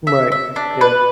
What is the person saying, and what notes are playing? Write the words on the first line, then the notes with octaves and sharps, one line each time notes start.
Right, yeah.
E5
E5
D4
B4